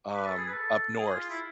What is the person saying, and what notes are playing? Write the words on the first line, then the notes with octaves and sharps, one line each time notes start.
um, up north,
B4
A4
G#4
B4
A4
G#4
F4
E4